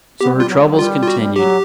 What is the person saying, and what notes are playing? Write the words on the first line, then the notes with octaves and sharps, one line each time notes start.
So her troubles continued.
B3 G4
G3
F4
F#3
G#3
G3
F#3
G3 F4
F4
F#4
F#3 G4